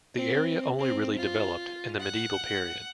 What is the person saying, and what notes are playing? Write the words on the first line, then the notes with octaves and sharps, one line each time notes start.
The area only really developed in the medieval period.
C4
C4
F4
F#5